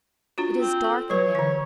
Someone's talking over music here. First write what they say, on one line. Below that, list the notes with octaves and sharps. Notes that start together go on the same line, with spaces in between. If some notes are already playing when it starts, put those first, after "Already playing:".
It is dark in there.
D4 F4 F#4
C4
A4
F#3 B4 C#5
D3 E3